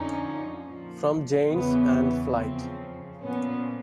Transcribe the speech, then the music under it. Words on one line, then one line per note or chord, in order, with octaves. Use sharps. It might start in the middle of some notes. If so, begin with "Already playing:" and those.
From Jane's and Flight.
Already playing: F2 D3 F3 C#4 D#4
A#2 F3
E2 C#3 E3 B3
F2 C#3 F3 C4
A#2 F3 B3 C#4